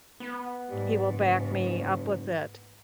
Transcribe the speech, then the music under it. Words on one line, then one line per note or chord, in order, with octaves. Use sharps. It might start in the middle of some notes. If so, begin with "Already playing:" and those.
he will back me up with it.
B3
G#2 G3
F#1